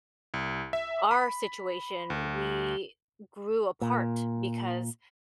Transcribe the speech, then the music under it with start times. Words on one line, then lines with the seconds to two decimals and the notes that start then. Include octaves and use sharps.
our situation, we grew apart because
0.34 C2
0.73 E5
1.11 B5
2.10 D2
3.81 A#2